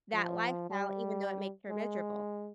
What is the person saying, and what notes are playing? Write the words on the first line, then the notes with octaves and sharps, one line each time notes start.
that lifestyle, even though it makes her miserable.
F3
G3
G#3